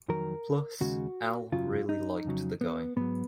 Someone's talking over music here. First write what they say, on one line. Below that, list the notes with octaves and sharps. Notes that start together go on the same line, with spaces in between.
Plus, Al really liked the guy.
F2 D#3 F#3 A#4
D#2 C#3 G#3 F#4
F#2 C#3 F#3 F4
D#4
F2 C#3 F#3
B3
G#2 F#3 B3